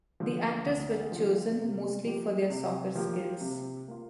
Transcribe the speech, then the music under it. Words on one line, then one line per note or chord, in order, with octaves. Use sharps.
The actors were chosen mostly for their soccer skills.
D3 F3
D2
D3 F3
C3
F3 A#3 G4
C3
F3 A#3 G4
C3
A#3 F4